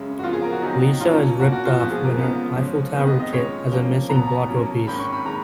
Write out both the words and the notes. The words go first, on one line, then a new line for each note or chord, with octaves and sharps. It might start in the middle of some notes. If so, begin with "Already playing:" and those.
Lisa is ripped off when her Eiffel Tower kit has a missing Blocko piece.
Already playing: F#2 C#3 G#3 C#4
F#4
C#3 F3 B3 F4
G#4
A#4
F#4
F2 D#3 F#3 B3 D#4
B2 F#3 A#3 C#4 F4
B2 A#3 C#4 F#4
F#4
F4
G#2 F3 B3 F#4
G#4
A#4
C#3 F3 G#3 B3
G#2 F3 G#3 C#4
F2 D#3 G#3 B3 B4
D#5
D#5
A#2 G#3 C#4 C#5
F2 F3 A#3 C#4
B2 F#3 B3 A#5
B2 F#3 A#3 C#4
G#2 D#3 A#3 C#4 B5
C#6
B5
D#3 G#3 A#5